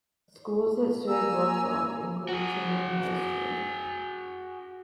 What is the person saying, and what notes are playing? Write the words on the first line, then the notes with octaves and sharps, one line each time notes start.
Schools that serve Rough Rock include Chinle High School.
A#3 G#5 A#5 E6
F#4 G#4